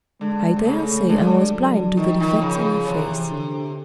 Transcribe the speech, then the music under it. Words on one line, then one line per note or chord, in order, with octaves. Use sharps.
I daresay I was blind to the defects in her face.
D3 G#3
C3
C#3 A3
D3 G#3
F#3
D#3 F3
D#3
C#3
C3 E3
D3